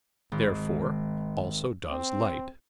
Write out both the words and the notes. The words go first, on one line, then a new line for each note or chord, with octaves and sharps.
Therefore also does light.
G#1
C4